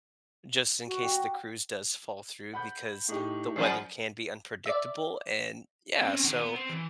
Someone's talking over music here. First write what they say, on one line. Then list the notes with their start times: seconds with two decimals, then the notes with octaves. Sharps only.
just in case the cruise does fall through because the weather can be unpredictable, and Yeah, so
0.86 F#4
1.03 G4 F#5
2.53 F#5 B5 G6
3.08 A2 D#4 G4
3.56 F#2 F3 G3 C7
4.66 D5 E5
6.01 C4 C#4
6.23 D#3 F#5
6.39 B3
6.55 C4
6.69 E3